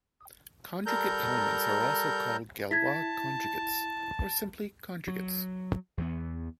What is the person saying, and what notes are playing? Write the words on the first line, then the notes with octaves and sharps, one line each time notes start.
Conjugate elements are also called "Galois conjugates", or simply "conjugates".
G3 A4 A#4 A#5 G6
E4 A5 G#6 A6 B6
F#3
E2 E3 B3